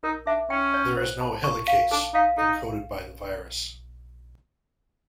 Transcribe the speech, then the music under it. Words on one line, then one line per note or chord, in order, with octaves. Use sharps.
There is no helicase encoded by the virus.
D#4 A#4
D4 E5
C#4 G5
C#5
C5
A5
C#6
F5
D4 A4
D#4 F5
D#4 A4